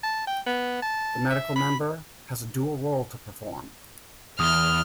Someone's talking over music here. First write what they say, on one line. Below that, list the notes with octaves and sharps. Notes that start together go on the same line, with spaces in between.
The medical member has a dual role to perform.
A5
G5
B3
A5
E5
B5
E2 D#6 F6 F7 G7